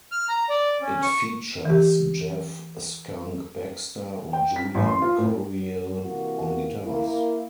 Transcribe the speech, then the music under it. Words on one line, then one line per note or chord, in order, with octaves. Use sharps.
It features Jeff "Skunk" Baxter and Julian Coryell on guitars.
F6
A#5
D5
C#4
C#6
E3 G4
G5
B6
A1
C6
F4
A2
C3 E3 A#3 F#4
A#3 E4